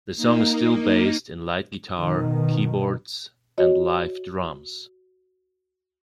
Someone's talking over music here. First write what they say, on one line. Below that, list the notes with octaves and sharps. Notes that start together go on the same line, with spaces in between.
The song is still based in light guitar, keyboards and live drums.
A#3 D#4
B2 D#3
F#4 C#5 D#5